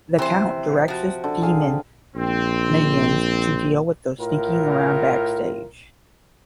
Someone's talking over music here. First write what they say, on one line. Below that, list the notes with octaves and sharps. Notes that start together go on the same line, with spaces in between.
The Count directs his demon minions to deal with those sneaking around backstage.
C3 E3 C5
F3 F#4
D3
G#4 F5 G5
A#1 C4
A2 F4 A#4